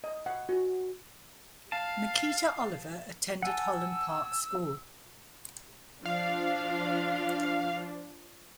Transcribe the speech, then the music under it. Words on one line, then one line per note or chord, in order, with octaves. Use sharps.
Miquita Oliver attended Holland Park School.
D#5
F#5
F#4
F5 A5
F#5 G#5 A5 E6
F3 D4 F5